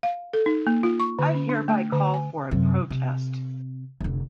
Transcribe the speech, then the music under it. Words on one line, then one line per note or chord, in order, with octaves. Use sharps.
I hereby call for a protest.
F5
A4
D#4
A#3
F4
C#6
D3
C#4
D4
A3
D3
G#5
F#2 C3
C3
F1 D3